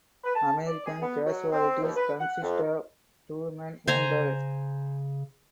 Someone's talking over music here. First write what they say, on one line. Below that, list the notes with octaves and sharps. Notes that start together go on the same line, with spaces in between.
American casualties consisted of two men wounded.
B4
A5
D5
G#4
B3
F#3
C4
D#2
B4
F#5
F2
C#3 C5 G#5 A#5